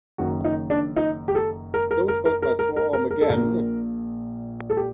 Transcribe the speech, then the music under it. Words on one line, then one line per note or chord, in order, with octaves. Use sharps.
Don't hurt my sore arm again.
F#1 F#2 D#3 F#4
D#4
D4
D#4
G4
A4
A#4
A#4
A#4
A#4
A#4
A#4
A#4
A#4
A#4
A4
A#1 A#2 A#4
A4
G4